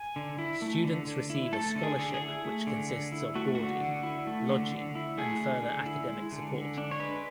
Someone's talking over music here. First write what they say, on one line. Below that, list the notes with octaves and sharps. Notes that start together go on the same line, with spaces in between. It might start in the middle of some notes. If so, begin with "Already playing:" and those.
Students receive a scholarship which consists of boarding, lodging and further academic support.
Already playing: G#5
D3
E4
A3
D3
D3
E4
A3 A4
D3
G#4
D3
G#4
E4
A3
D3
D3
E4
A3 F#4
D3 F#4
D3
E4
A3
D3
D3
E4
A3 G#4
D3
D3
E4
G#3
D3
D3
D4
C#5
G#3 B4